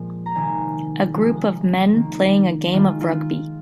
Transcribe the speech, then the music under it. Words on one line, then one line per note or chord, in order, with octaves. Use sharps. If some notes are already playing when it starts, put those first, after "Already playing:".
A group of men playing a game of rugby.
Already playing: A#2 F3 G#3
A#5
C3 D#3 A#3 G#5
C3 F3 G#3
D#3 A#3
D#3 G#3 F4
F4